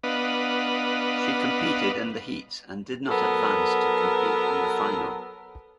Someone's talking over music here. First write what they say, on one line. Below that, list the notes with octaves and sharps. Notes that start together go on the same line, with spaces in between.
She competed in the heats and did not advance to compete in the final.
B3 D4 B4 D#5 F5 F#5
F#3 B3 A4 A#4